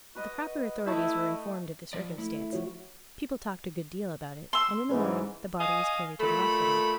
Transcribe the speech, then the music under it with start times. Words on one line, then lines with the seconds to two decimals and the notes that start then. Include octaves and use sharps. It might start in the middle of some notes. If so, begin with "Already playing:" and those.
The proper authorities were informed of the circumstance, people talked a good deal about it, and in the morning the body was carried to the hospital.
0.15 F#4 B4 D#5
0.87 A3 E4 D#5 C#6
1.93 F3 D5
2.18 A3 E4
2.53 F3 F#4 C#5
4.53 C6 E6
4.90 G#2 E3 C#4 B4
5.60 D#5 F5 G#5
6.20 A#2 A3 A4 B5